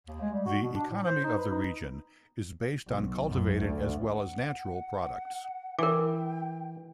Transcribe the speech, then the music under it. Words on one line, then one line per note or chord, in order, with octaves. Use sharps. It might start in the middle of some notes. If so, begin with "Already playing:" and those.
The economy of the region is based on cultivated as well as natural products.
D#2
G#3
G3
F#4
B2
D4
A2
C5
D#4
B4
D#4
B1
F#2
D2
F#5
E3 A#4 G5 D6